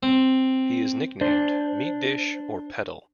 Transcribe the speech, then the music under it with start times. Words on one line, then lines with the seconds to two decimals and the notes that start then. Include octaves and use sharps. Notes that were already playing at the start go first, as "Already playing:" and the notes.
He is nicknamed "Meat Dish" or "Petal".
0.03 C4
1.21 D4 C5